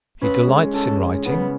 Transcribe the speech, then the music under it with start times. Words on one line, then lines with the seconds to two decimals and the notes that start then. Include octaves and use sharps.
He delights in writing.
0.22 C#4 B4
0.47 G#3
0.74 C#4 A4
1.00 G#3
1.26 C#3 B3